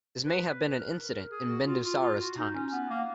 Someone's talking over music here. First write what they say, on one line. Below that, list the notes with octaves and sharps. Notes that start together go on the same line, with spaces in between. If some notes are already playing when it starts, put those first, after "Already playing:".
This may have been an incident in Bindusara's times.
B4
A#4
G#4
F#4
F4
F4
F4
F#4
D#4
C#4
B3
A#3